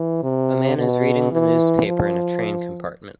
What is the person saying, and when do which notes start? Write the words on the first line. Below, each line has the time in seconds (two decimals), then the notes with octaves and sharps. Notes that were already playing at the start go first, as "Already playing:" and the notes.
A man is reading the newspaper in a train compartment.
Already playing: E3
0.23 C3
0.78 B2
1.32 E3
1.85 F3